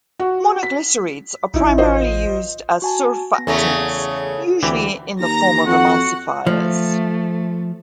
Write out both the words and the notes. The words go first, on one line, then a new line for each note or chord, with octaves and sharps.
Monoglycerides are primarily used as surfactants, usually in the form of emulsifiers.
F#4
B6
A1 D#4 E4
F4 C5 D#5
F#4 G#5 A5
B3 A#6
E2 C#3 A3 C#4 A4 F#5 A#5
D2 E3 G4
D#2 A#5 A#6
F2 F#4 F#5
F3 A3